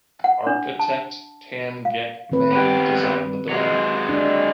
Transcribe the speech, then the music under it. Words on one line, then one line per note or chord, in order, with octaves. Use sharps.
Architect Tan Gek Meng designed the building.
F#5
D4
A5
F5
D#3 C4 B4
B3 G4
F#3 G#3
D4